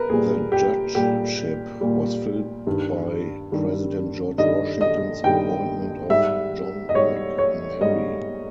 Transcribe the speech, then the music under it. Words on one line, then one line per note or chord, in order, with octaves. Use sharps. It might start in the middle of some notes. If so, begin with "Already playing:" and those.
The judgeship was filled by President George Washington's appointment of John McNairy.
Already playing: A#4 B4
A#2 G3 G#4
G4
A#2 G3 G4
A#2 G3
G2 D#3 G3
G2 D#3 G3
G2 D#3 G3 D#5
D#5
G2 D#3 G3 G5
G#2 G3 E5
D#5
G#2 G3 C#5
C#5
G#2 G3 D#5